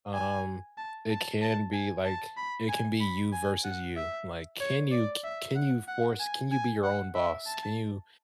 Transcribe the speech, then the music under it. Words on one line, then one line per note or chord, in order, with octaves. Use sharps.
um, it can be, like, it can be you versus you, like, can you ca can you force can you be your own boss, can you
G#5
A5
A5
A5
G#5
A5
B5
G#5
B5
G#5
F#5
E5
C#5
D5
E5
F#5
F#5
G#5
G#5
F#5
E5
A5